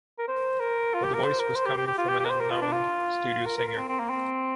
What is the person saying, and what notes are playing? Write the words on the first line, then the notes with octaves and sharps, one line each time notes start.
But the voice was coming from an unknown studio singer.
A#4
C5
A#4
F4
G4
A#4
C5
A#4
C5
G4
G4
G4
F4
G4
G4
A#4
C5
A#4
F4
D4
F4
A#4
A#4
A#4
C4
C4
A#3
C4